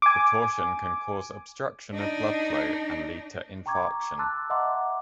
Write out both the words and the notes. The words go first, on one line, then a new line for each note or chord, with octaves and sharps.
The torsion can cause obstruction of blood flow and lead to infarction.
G#5 D6
D4 D#4
G5 A#5 C#6 D6 G#6
A5 C6 D6 E6 F#6 A6
D#5 E5 F#5 A#5 C6 D6